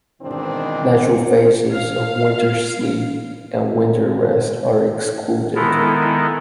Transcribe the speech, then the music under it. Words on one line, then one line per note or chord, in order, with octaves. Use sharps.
Natural phases of winter sleep and winter rest are excluded.
G#2 B2 D#3 E3 C4 D4
F5
D#3 G#3 B3 E4 A4 A#4